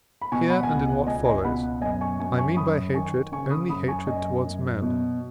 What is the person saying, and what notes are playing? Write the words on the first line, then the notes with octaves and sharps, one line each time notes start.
Here, and in what follows, I mean by hatred only hatred towards men.
B5
B2 G#5 C#6
F#5 B5
G#5
C#2 F#5
G#5
F#5
C#2 D#5 G#5
D#5 G#5
B2 F#5 B5
F#5
F#2 D#5 G#5
G#5 C#6
F#2 G#5 C#6
G#5 C#6
C#6
F#2 B5 D#6
D#3 G#5 C#6
C#3 G#5 C#6
B5 D#6
F#2 B5 D#6
G#5 C#6
F#2 D#5 G#5
F#2
B2